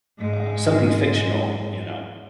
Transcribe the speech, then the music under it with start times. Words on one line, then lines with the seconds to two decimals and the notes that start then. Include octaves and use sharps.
uh, something fictional, you know.
0.18 G#2 G#3